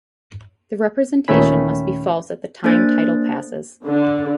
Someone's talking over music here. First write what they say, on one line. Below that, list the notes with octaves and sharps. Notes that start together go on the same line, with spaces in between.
The representation must be false at the time title passes.
D#2 A#2 D#3 A3 C#4 B5
A#3 D4 A4 C5 A6
D3